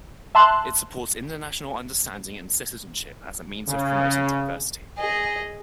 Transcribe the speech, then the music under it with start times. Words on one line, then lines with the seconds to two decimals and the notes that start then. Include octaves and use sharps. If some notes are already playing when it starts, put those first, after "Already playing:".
It supports international understanding and citizenship as a means of promoting diversity.
0.35 E5 A5 C6 F#6
3.69 C#3
4.99 G#4 D#5